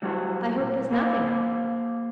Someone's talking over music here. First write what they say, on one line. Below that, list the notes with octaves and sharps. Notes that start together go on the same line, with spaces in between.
I hope there's nothing up.
F#3 G3 E4 F#4 C5
A#2
A#3 G#4 C5 C#5 F5